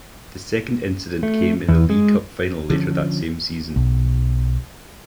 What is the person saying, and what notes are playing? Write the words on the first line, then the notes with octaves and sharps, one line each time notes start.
The second incident came in the League Cup final later that same season.
A3
E2
G#3
D3 F3 C#4
B1